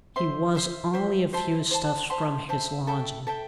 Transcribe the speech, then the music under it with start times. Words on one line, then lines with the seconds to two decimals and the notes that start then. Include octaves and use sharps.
He was only a few steps from his lodging.
0.16 C5 E5 C6
0.55 C5 E5 C6
0.94 C5 E5 C6
1.33 C5 E5 A5 C6
1.71 C5 E5 A5 C6
2.10 C5 E5 A5 C6
2.49 C5 E5 A5 C6
2.87 A4 E5 G5
3.27 A4 E5 G5